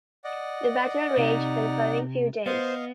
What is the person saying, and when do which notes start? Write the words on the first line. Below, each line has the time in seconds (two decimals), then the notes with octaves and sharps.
The battle raged for the following few days.
0.24 D5 D#5 F#5
1.17 C3 D#4
2.46 B3 C5 D#5 F5